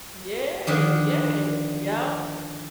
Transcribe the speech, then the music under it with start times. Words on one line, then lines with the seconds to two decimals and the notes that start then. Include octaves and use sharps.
Yeah, yeah, yep. I
0.67 D3 D#3 F3